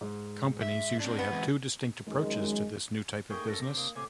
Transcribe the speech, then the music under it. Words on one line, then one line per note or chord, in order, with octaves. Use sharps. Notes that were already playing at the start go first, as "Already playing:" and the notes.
Companies usually have two distinct approaches to this new type of business.
G#2
E5
C4 D4
B3
E3 G#3 C4
F#2 D#3 G#3
A2 A#3 D#4 G#4 G5 C#6
C#4 A4 A#6
C3 D4
A#3 D#6
A2 C3 G#5 D6